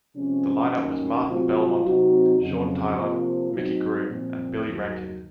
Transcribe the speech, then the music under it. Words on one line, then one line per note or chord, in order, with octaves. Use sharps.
The line-up was Martin Belmont, Sean Tyla, Micky Groome and Billy Rankin.
C3 F3 G#3 C#4
D#2 D#3 F#3 C#4
C3 F#3 C4 F4
C3 F#3 C4 D#4 F#4
F2 C#3 F#3
C3 F3 A#3 F4
G#2 F#3 C4 D#4
A#2 F3 C4
D#2 D#3 F#3